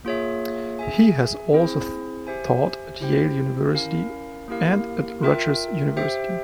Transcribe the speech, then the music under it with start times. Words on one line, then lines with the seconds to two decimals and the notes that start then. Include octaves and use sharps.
He has also taught at Yale University and at Rutgers University.
0.05 A#3 F4 G#4 C#5 E5
0.79 G#4 E5 G#5
1.53 C4 E4 G#4 C5
2.27 G4 C5 E5 G#5
3.01 E4 G4 C5 G5
3.74 C#4 E4 A#4 F5
4.48 A#3 E4 G4 A#4 F5
5.23 F4 A#4 E5 G5
5.97 G4 C5 E5 G5